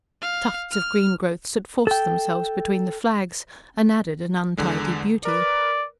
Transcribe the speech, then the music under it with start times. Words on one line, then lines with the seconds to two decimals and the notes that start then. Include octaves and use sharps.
Tufts of green growths had forced themselves between the flags, and added an untidy beauty.
0.22 F5
0.71 F6
1.87 A4 G5
4.57 E2 D3 G#3
5.25 A#4 B4 D5